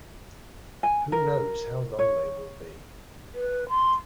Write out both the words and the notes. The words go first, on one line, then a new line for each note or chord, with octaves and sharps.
Who knows how long they will be?
G#5
A#4
C#5
B4
C6